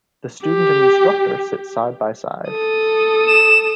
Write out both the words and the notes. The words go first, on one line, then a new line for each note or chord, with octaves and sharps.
The student and instructor sit side-by-side.
G4
A4 D#6
E7